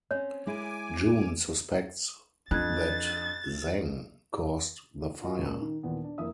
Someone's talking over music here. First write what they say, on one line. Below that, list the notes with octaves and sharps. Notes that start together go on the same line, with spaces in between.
Jun suspects that Zeng caused the fire.
C4 C#4 C#5
G#3 E4 G#5 D6
F2 D4 F#6 G#6 A6
F4 F#4 D#5 C#6
A#2 C#3 G#3
D#3
D#2 A#2 E3 B3
D4
F1 A#3 E4 E5 D#6